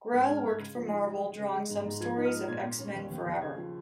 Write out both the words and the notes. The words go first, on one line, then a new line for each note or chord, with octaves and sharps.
Grell worked for Marvel drawing some stories of "X-Men Forever".
G#2 F6
G#6
G#3
F6
G#2 G#6
C#3 G#6
F3
D#4
G#3
G#3
C#3
G#3
G#2
G#2
F3 G#6
D#4
F6
G#3
A#2 G#6
A#2
C#4
D#2
D#2
D#2
C#3 G#6
F3